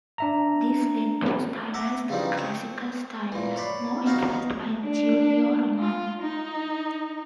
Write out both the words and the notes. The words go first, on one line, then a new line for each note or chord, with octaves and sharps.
This led to a stylized classical style, more influenced by Giulio Romano.
D4 E5 A#5
E5 F#5 A#5 D6
C#3 E3 F3 G3 D4 D#4
C4 C#6
A#2 E3
C#5 D5 B5 C6
D#4 F#4 F5 A5 A#5 C#6
D4
F4
D#4